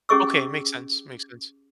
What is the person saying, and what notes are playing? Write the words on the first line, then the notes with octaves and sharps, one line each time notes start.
Okay, makes sense, makes sense.
C#4 G4 G#4 D#5 C#6 E6